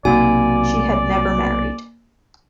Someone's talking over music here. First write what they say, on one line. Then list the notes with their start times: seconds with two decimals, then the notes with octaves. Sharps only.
She had never married.
0.05 B1 C3 A#3 D#4 F#4 D5 G#5